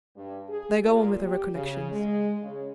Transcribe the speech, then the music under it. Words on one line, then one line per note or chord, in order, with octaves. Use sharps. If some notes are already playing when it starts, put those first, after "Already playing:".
They go on with their recollections.
G2
G#4
A#2
G4
C#3
G#3
C#3